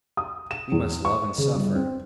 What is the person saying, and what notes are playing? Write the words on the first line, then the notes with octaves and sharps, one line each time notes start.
We must love and suffer....
D#6
E7
E2
C#6
C#3
G1
C4